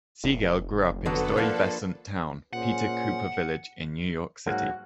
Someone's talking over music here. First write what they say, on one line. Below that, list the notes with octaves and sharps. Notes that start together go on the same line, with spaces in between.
Siegel grew up in Stuyvesant Town-Peter Cooper Village, in New York City.
F1
D3 F#3 B3 A4 B4 F#5
F3 A#3 D4
A#2 C#4 G#4 C5 F#5
G#2 F#3 A#3 F#4 F#5